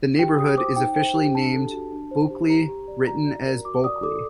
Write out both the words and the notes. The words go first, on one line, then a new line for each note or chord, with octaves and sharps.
The neighborhood is officially named Bulkeley, written as Bolkly.
G4 G5
G4 D#6
C5 D6
D#4 G5
C5 G5
G4 G5
D4 A5
A4
F#4
D4
C5
G4
G4 A#5
G4
D5
F#4 A#5
D5
A#4
F#4 D6
D5 D#6
A4 D6